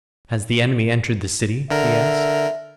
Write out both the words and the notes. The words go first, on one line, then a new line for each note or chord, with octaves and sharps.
"Has the enemy entered the city?" he asked.
D3 A#4 E5